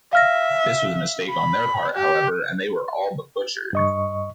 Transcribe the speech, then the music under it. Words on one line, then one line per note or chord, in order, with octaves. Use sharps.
This was a mistake on their part, however, and they were all but butchered.
E5 F5 F6 A#6
B5
G4
G2 D#5 C#6